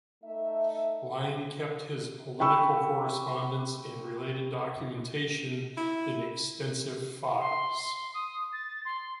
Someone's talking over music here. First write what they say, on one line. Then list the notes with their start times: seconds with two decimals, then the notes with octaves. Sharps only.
Lang kept his political correspondence and related documentation in extensive "files".
0.24 A3 D#4 A4 E5
2.40 G5 B5 C#6 E6
5.77 E4
7.40 C6
8.14 D#6
8.53 A6
8.85 C6